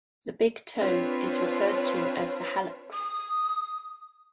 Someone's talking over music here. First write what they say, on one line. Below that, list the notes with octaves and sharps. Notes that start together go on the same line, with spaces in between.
The big toe is referred to as the hallux.
C4 D4 F4 B4 C#5
D#6